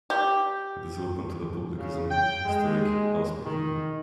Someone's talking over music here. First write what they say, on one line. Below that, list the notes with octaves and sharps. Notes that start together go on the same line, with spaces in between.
It is open to the public as an historic house museum.
G4
C#3
G5
G#3
D#3